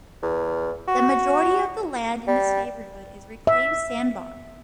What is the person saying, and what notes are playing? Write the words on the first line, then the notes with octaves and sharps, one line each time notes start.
The majority of the land in this neighborhood is reclaimed sandbar.
E2
F#4
G3
E5